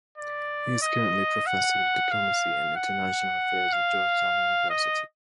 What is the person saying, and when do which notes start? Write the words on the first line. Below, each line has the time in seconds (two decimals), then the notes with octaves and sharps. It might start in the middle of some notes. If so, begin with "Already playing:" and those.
He is currently Professor of Diplomacy and International Affairs at Georgetown University.
0.18 D5
0.82 D#5
1.47 F#5
2.11 F5
2.76 F#5
3.73 F5
4.70 D#5